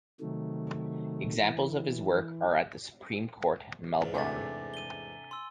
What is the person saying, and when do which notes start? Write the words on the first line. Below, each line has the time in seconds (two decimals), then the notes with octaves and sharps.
Examples of his work are at the Supreme Court, Melbourne.
0.21 C3 D#3 F#3 A3
1.39 E3
4.01 E2 G#2
4.14 C3 A3 D4 G#5 A6
4.74 D#7 G7
5.31 C6 E6